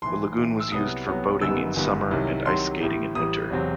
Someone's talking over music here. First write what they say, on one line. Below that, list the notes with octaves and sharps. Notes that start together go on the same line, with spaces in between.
The lagoon was used for boating in summer and ice skating in winter.
B1 A2 E3 C6
B1 A2 E3
E6
C2 C3 F#3 B3 D#6
C2 C3 F#3 B3
G1 F#2 D#3 G3 B3 E6
G1 F#2 D#3 G3 B3
C2 C3 D#3 F#3
C2 C3 D#3 F#3 C6
A1 A2 G3
A1 A2 G3 D#6
E1 E2 C3 F#3 C4